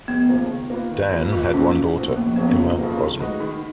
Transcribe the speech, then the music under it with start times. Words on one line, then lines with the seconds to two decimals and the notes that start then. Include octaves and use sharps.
Dan had one daughter, Emma Osman.
0.08 F1 B3
0.29 D#2 C#3 F3 A#3
0.50 D#3
0.70 A#3 F4 B4
0.91 D#3
1.13 A#3 F4 B4
1.32 B1 F4
1.53 A#2 F3 B3 C#4 F#4
1.74 B1 C#4
1.96 A#2 F3 B3 F#4
2.16 F1 A#3
2.26 F3
2.36 F2 C#3 F#3 A#3 B3
2.48 C#4
2.57 F1 F4
2.79 F2 C#3 F#3 A#3
2.98 D#3
3.19 G#3 D#4 F#4 B4
3.40 D#3 D#4